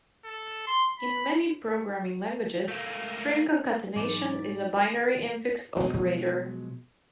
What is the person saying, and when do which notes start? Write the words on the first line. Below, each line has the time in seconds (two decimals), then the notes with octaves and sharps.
In many programming languages, string concatenation is a binary infix operator.
0.24 A4
0.67 C6
0.99 B5
2.68 A3 A#3
3.96 G#2 E3 F#3 C4 D5
5.77 B2 F3 F#3 G#3